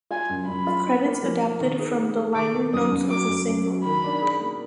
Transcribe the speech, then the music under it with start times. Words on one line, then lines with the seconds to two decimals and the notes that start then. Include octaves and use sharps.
Credits adapted from the liner notes of the single.
0.10 F4 G#5
0.29 F#2
0.48 F#2 B5
0.67 F4
0.86 D#4
1.04 A#3
1.23 F3
1.42 A#3
1.60 D#3
1.79 G#4
1.98 A#3
2.16 G#4
2.35 D#3 D6
2.54 D#3
2.73 F#2 D#6
2.92 F#2
3.10 F#3 D6
3.28 F#2
3.48 F#2
3.66 F#3
3.85 D#3 B5
4.04 D4
4.22 G#4
4.40 A#3